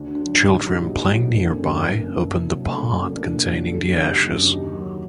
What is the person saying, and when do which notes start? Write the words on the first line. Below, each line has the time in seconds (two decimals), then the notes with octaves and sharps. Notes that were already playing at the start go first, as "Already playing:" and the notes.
Children playing nearby opened the pot containing the ashes.
Already playing: D2 D4 F#4
0.15 D3 F#3
0.38 A1 D#4 G4
0.60 A2 F#3 D#4 G4
0.83 A#1 D#4 G4
1.06 A2 F#3 D#4 G4
1.29 F#1 A#3 D4
1.52 F#2 D#3 F#3 A3 C4
1.74 G1 A#3 D4
1.98 F#2 D#3
2.21 C2
2.44 C3 F#3
2.62 D4
2.66 F#1 A3 C4
2.77 A#3
2.89 F#2 F#3 A3
3.00 A#3
3.12 C2 A#3 D4
3.35 A#2
3.40 F#3
3.58 D#2
3.66 A4
3.73 G4
3.80 D3 F#3 F#4 A4
4.04 F#1 D#4 G4
4.27 F#2 D3 F#3
4.49 D#2 D#4 G4
4.72 D#3 F#3